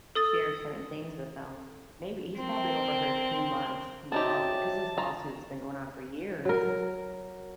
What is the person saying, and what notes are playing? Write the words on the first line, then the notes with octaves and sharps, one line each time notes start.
share certain things with him. Maybe he's probably overheard too much with all the ‘cause this lawsuit's been going on for years.
A4 D#6 A6
C4 A#4
C4 D#4 F#4 G4 C#5 E5 A5
F4 A#5
F#3 A#4